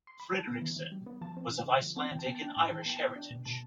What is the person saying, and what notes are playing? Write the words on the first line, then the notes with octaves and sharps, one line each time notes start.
Fredrickson was of Icelandic and Irish heritage.
C6
B5
G3 A5
B3
E3
E3
G3
B3
F3 A5
C4
D3
D3
F3
C4
E3 G5
A5
B3 G5
A5
D4 G5
A5
A2 G5
A5
E3 G5
A5
B3 G5
A5
B3 G5
D4
B2
B2 A5